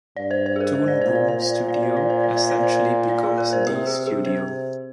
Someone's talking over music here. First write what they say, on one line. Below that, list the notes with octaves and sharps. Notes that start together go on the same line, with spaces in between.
Toon Boom Studio essentially becomes the studio.
G2 D5
C5
C5
G#4
A#4
G#2 C5
D5
A#2 C5
D5
C5
A#2
D5
C5
D5
C5
D5
C5
D5
C5
D5
C5
D5
G#4
A#4
C5
C3 G4
G#4
G#4
C5